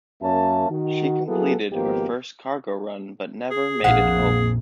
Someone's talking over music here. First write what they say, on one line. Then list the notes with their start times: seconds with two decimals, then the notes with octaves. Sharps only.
She completed her first cargo run, but never made it home.
0.22 F#2 A#3 C#4 E5 A5
0.70 D#3 F#4
1.26 F#3 A#3 B3 E4 G#4 A4
1.71 G#1 F3 A#3 B3 D#4 G4
3.51 G#4
3.84 A#1 F2 A#2 G#4 F5 F#5